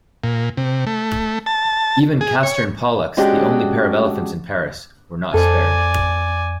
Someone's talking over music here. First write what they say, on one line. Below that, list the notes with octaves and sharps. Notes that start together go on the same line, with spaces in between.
Even Castor and Pollux, the only pair of elephants in Paris, were not spared.
A#2
C3
A3
A5
G#4
C#5
G#3 C#4 D4 F#4 G4
F2 A4 C5 D5 G#5